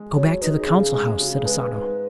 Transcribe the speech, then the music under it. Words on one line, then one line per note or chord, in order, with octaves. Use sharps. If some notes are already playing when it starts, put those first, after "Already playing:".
"Go back to the Council House," said Asano.
Already playing: G#3
F#3 C#5
C#5
D#4 B4
F#4
G#4
C#3
G#3
C#3 F#4
G#4
G#3 B4
B4
G#2 B4